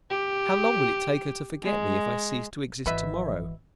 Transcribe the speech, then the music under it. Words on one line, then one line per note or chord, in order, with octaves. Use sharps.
How long will it take her to forget me if I cease to exist to-morrow?
G4
G#3
G#1 B2 E3 B4 E5